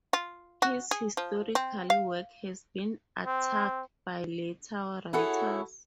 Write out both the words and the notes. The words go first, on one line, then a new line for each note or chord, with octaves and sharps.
His historical work has been attacked by later writers.
F4
F#4
G#4
F3
C4
F5
C4
E4 F#4 G#4 A4 C#5